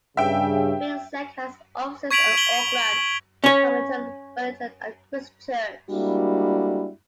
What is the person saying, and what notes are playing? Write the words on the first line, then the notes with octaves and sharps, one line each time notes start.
Finsec has offices in Auckland, Hamilton, Wellington and Christchurch.
G2 C#3 E5 G5
C#6 G#6 B6 D7 F7 F#7
F#7 G7
C#4 C#5
G3 G#3 A#3 D4 E4 F#4